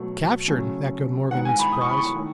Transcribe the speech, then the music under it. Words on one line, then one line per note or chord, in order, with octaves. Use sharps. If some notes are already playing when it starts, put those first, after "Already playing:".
"Captured?" echoed Morgan, in surprise.
Already playing: B2 F#3 A3
C#3 F#3 A3
G#2 D#3 G#3 B3 F#5
G#5
B5
D#6
C#6
B5
C#6
D#3 A3